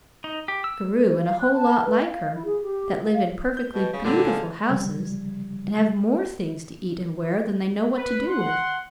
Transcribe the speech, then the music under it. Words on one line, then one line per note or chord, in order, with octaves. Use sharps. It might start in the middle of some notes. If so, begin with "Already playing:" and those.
Carew, and a whole lot like her--that live in perfectly beautiful houses, and have more things to eat and wear than they know what to do with.
D#4
G4
E6
C5
F5
F#6
A5
B4
F5
E4
G#4
G4
F5
G6
B2
C#3
A#2 D3 G3 A#3
G#3 F5 G#5
C#3 F3 G3 G#6
B4
F#5 C6